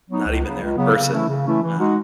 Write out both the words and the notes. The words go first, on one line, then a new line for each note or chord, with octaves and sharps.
not even there in person, um,
F#3 B3 D#4
C#2
C#3 F#3 B3
C#2
C#3 F#3 B3
C#3
E3 A3 C#4 E4
C#3
E3 A3 C#4 E4
E3
G#3 D#4 F#4